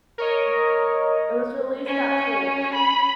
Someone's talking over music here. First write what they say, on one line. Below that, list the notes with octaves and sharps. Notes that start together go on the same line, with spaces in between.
It was released that fall.
A#4 C#5 D#5
C#4
B5